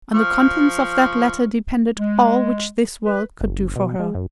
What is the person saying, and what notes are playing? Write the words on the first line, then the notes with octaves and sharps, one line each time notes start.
On the contents of that letter depended all which this world could do for her.
F3 C#6 F6
G#3
B4
F#1
B2
G#3
F#2